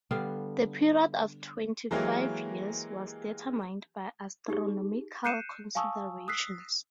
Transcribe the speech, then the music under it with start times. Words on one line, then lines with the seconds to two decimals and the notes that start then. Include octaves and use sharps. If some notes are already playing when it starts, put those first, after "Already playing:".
The period of twenty-five years was determined by astronomical considerations.
0.11 D3 G3 B3 F5
1.91 E3 F#3 G#3 A#3 G4 A#4
4.48 D#4 G4 G#4
5.24 F#6 G6 C7 C#7 D#7 E7
5.75 F5 G#5 A5 C#6 D#6 E6
6.28 D#6 E6 F#6 B6 C7